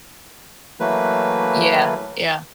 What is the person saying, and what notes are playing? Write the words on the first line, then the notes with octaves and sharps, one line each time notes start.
Yeah, yeah.
E3 F#3 A3 A#3 B4